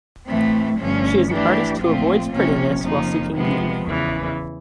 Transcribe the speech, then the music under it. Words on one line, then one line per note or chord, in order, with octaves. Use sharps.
She is an artist who avoids prettiness while seeking beauty.
A2 E3 A3 C4
G2 D3 F3 A3 C#4
E3 A3 D4 G4
A#2 F3 A3 C4 F4
C3 F3 A#3 C#4
F2 C#3 F3 A#3 D#4
C3 F3 G#3 B3
E2 C#3 E3